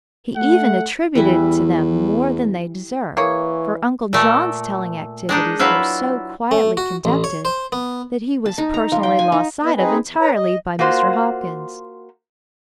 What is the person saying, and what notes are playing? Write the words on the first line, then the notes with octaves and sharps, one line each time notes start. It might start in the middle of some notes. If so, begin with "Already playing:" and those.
He even attributed to them more than they deserved, for Uncle John's telling activities were so quietly conducted that he was personally lost sight of entirely by Mr. Hopkins.
A3 F#5
E2 E3 G3 E4
E3 A#3 G#4 C#5
A#2 A3 A4
G#3 D4 D#4
F#3 E4 F4 B4
A3
F#4
A1
C#5
C5
B3
A5
D#4
A#5
F3
G5
G#5
D#4
B3 B4 D#5
C4 D#4 G#4 B4
E2
B4 C#5 A#5
D#5
A#3 F4 F#4 C5